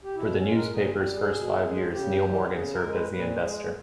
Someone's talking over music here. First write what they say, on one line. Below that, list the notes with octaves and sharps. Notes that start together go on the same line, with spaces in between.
For the newspaper's first five years, Niel Morgan served as the investor.
G4
B2 E4
C#4
G#3
A#4
A#2 G#4
E4
G4
G3
G#4
B2
G#3
C#3 G4
E3 G3
C#3 G#4
A#4
G#3
B4
A#2 B4
G#3 G#4
G#4